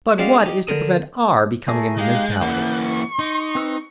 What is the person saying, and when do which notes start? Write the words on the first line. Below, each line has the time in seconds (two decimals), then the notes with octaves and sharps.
"But what is to prevent our becoming a municipality?"
0.18 G#3 C#4 F#4 G4 D5 F5
0.42 D#4 G4
0.67 D3 A#4 D#6
1.68 A3 G#4 A#4 A5
1.98 G#3 D#4 G4 F5 G6
2.41 E3 A#3 C#4 F#5
2.83 C#6
3.19 D#4 C6
3.55 C4 B4 E6